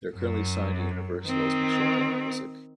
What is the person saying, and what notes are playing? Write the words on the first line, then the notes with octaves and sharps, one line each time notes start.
They are currently signed to Universal's Machete Music.
F#2
D#3 C4